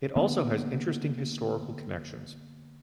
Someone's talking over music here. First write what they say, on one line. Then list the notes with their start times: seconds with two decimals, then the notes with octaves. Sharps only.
It also has interesting historical connections.
0.16 D3 A#3 B3